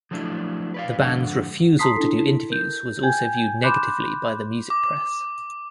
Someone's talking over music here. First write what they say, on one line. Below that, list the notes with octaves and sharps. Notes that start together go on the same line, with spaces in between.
The band's refusal to do interviews was also viewed negatively by the music press.
F3 F#3 A3 D4 E4
B4 D5 F5
F2 G#2 D3 F#5
A5 A#5 C6 D#6 B6 C7
D4 E4 A4
A#4 G6
G5 G#5 G6 G#6
B5 C6 D6 F#6 G6 E7
D6